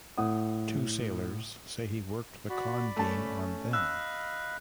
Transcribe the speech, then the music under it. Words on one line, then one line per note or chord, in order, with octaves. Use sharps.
Two sailors say he worked the ‘con’ game on them.
A2 F#5 D#6
F#4 D5 B5
A3 C#4 A5
D#5 F5 B5 E6 F#6